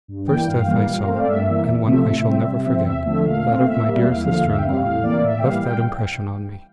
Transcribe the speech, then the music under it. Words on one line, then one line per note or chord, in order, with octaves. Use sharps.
The first death I saw, and one I shall never forget--that of my dear sister-in-law--left that impression on me.
G2
E3 G3 A#3 G5
G2 F5
E3 G3 A#3
A#2
A#4
A3 C4 C5
D5
G2 E5
E3 A#3
E2
C3 F3 A3 C4 E5
A2
G3 C4
C3
F3 C4
E2 E5
D3 F3 A3 E5
A#2 F5
A3 C4
A#2 E5
G3 A#3
E2 F5
D3 F3 F5
E2 E5
G5
C3 G3 F5
A2 F5
E3 A#3 D5
A2 E5
G5
E3 G3 F5
G5